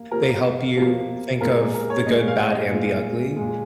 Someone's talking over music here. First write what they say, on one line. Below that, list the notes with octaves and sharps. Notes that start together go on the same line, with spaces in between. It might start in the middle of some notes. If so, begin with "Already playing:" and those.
they help you think of the good, bad, and the ugly,
Already playing: A#3
C3 F3 A#3 A#4
C3 F3 A#3
A#2 G#3 A#4
A#4
C#5
A#2 G#3 D#5
F5
D#5
A#2 G#3
A#2 G#3